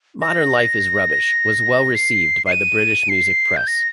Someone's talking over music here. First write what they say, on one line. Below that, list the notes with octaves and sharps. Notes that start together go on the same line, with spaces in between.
"Modern Life Is Rubbish" was well received by the British music press.
A#6
C7
C7
D#7
C7
G6
A#6